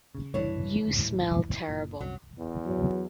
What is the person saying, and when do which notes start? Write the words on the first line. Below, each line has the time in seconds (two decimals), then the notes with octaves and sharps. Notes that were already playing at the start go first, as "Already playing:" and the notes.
You smell terrible.
0.15 C#3
0.34 F#1 C2 G2 E3 D4 C#5
0.94 D#1 A2 G3
1.68 F#1 A#2
2.01 C2 F#2 F#3
2.37 E2
2.66 F#3